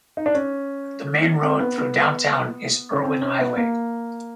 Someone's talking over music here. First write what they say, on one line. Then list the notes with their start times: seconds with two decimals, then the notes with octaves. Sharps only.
The main road through downtown is Erwin Highway.
0.17 D#4
0.26 D4
0.35 C#4
1.42 C4
1.60 B3
1.78 B3
2.92 C#4
3.03 C4
3.21 C#4
3.39 B3
3.57 A#3